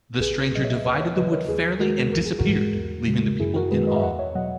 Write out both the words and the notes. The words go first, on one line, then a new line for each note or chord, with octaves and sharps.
The stranger divided the wood fairly and disappeared, leaving the people in awe.
A#1 G#4 B4
A#2 F#3 D#5
C#5 E5
D#2 B4 D#5
C#5 E5
C#3 F#3 B4 D#5
A#4 C#5
D#2 G#4 B4
D#3 G#3 F#4 A#4
G#1 A#4
G#4
F#4 A#4
G#2 E3 G#3
E2
C#3 G#3
F#2 E4 G#4
F#4 A#4
D#3 G#3 G#4 B4
B4 D#5
E5
E2 D#5 F#5
C#5 E5
B2 F#3 D#5 F#5